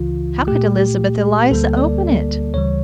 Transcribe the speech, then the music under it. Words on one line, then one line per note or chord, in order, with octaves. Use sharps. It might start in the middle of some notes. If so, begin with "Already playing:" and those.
How could Elizabeth Eliza open it?
Already playing: C#2 C#3 E3 F4
A#2 A3 G4
D2 D3 G3 A#3 A4
D5
D2 C#3 E3 G3 C#5